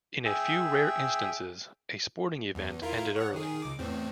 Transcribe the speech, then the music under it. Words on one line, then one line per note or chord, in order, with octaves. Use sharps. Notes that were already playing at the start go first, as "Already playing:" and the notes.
In a few rare instances a sporting event ended early.
G#4 E5 G5
E2
E4 F4 A#4
C#5 F#5
D#3 G#4
C#2 D6
E2 A2 C4